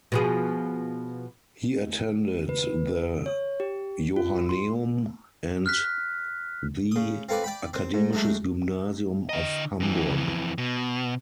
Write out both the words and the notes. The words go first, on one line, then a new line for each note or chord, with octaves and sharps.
He attended the Johanneum and the Akademisches Gymnasium of Hamburg.
B2 F3 G#4
B4
C#5
G4
F4
C6
F6 F#6 B6
C#3 D#6
C4 F4 A4 B4 D5
D5 G5 B5
C4
G#2
F#3 G#3 A3 D4
D3 D#5
F2 E3
B2